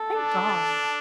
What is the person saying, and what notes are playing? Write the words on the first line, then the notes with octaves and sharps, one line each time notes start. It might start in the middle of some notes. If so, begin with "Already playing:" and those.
Thank God.
Already playing: A4
D4